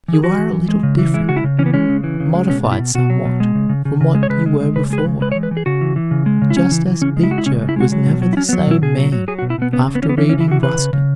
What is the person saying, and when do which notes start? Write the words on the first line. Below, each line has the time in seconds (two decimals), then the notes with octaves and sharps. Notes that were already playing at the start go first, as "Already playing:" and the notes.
You are a little different,--modified somewhat from what you were before,--just as Beecher was never the same man after reading Ruskin.
0.08 E3
0.13 G#4
0.23 E3 F#4
0.38 E3
0.53 E3
0.69 G#3
0.83 C#3
0.98 E3
1.14 G#3 E4
1.29 C#3 F#4
1.36 E4
1.44 C#3
1.59 E3 C#4
1.66 B3
1.74 G#3 C#4
1.89 C#3
2.04 E3
2.20 C#3
2.35 G#3
2.49 B2 C#4
2.64 B2
2.72 E4
2.79 B2
2.95 B2 F#4
3.10 F#3
3.25 B2
3.40 G#3
3.55 C#3
3.69 C#3
3.85 C#3
4.01 C#3
4.15 G#3
4.23 C#5
4.30 C#3 B4
4.46 G#3
4.60 G#3
4.76 C#3 B4
4.90 G#3 G#4
4.98 B4
5.05 C#3
5.21 G#3 B4
5.32 C#5
5.35 E3
5.43 B4
5.51 E3
5.57 G#4
5.66 C#3 F#4
5.81 E3
5.96 E3
6.11 C#3
6.26 G#3
6.42 C#3
6.50 E4
6.56 C#3 C#4
6.72 E3
6.86 E3
7.01 C#3 C#4
7.17 G#3
7.23 E4
7.31 G#3 F#4
7.38 E4
7.46 C#3 C#4
7.62 C#3
7.69 E4
7.76 G#3 F#4
7.92 F#3
8.06 B2
8.22 F#3
8.33 E4
8.37 F#3 C#4
8.49 B3
8.53 F#3
8.67 B2 E4
8.82 B2 G#4
8.97 F#3
9.12 F#3
9.28 F#3 G#4
9.39 F#4
9.42 B2
9.50 E4
9.58 B2 B3
9.73 C#3 B3
9.88 C#3
9.95 B3
10.03 E3 C#4
10.09 B3
10.18 E3 C#4
10.29 C#4
10.33 C#3
10.40 E4
10.48 E3 F#4
10.63 C#3 B4
10.78 C#3
10.93 C#3